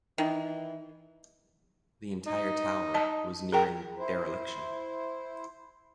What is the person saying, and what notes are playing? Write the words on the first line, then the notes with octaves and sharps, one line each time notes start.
The entire tower was nearing dereliction.
D#3 E3
D#4
D#5 A5
G#4 A#4 G5
E4 C5